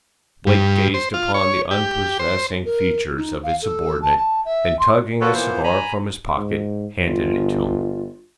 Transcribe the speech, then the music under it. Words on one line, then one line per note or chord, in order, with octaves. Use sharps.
Blake gazed upon the unprepossessing features of his subordinate, and tugging a cigar from his pocket, handed it to him.
G2
C5
F4
C#5
G4
C5
A#4
D#4
F5
A4
A5
A5
E5
C6
F4 F#4 A4 B4 C#5
A#2 E3 A#3 B3 C5
G#5 A#5 B5
G#2
G1 F4